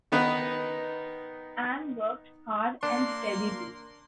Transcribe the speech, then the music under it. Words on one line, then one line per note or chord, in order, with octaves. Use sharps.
Anne worked hard and steadily.
D#3 B3 D#4 B4
A#3 D4 C6